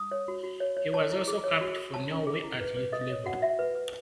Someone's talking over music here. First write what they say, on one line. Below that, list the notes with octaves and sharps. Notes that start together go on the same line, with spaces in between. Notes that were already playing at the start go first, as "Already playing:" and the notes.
He was also capped for Norway at youth level.
Already playing: D#6
C#5
F#4
F#4
C#5
C#5
C#5 A5
E4
G#4
C#5
F#4
A4
C#5 A5
C#4
G#4
E4
B4
B4
A4 D#5
C#5
F#4 F#5
F#4 E5
B4
B4